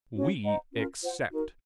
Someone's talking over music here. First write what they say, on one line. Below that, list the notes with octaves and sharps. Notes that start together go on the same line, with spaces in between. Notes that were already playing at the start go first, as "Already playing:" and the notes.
We accept.
C#4 F#4 C#5
C5 D#5 F#5 A#5
C#4 F4 A#4
F4 C5 F#5
D#4 F#4 A#4